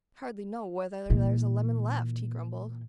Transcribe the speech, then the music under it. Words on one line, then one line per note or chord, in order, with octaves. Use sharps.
"I hardly know whether there's a lemon left," he grumbled.
A#2 E3